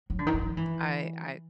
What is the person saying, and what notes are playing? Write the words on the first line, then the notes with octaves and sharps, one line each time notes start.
I I
F#3
D3
D#3
E3
F3
E3